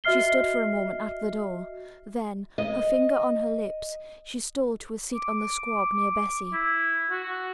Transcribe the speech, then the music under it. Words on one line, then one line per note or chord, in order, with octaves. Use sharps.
She stood for a moment at the door--then, her finger on her lips, she stole to a seat on the squab near Bessy.
F#4 D#5 E5 F6 C7 G7
D#5
D6
E4
F#4